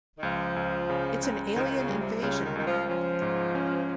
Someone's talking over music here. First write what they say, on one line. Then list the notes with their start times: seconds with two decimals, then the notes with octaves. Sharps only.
It's an Alien Invasion.
0.18 D#3
0.23 C#2 F3
0.56 C#2
0.90 C#3
1.23 C#2
1.56 C#2 D#3
1.63 F3
1.70 D#3
1.78 C#3
1.89 G3
2.00 C3
2.22 C#2 C#3
2.44 D#3
2.56 C#2 D#3
2.66 F3
2.89 F3 C#4
3.22 G#2
3.55 C#4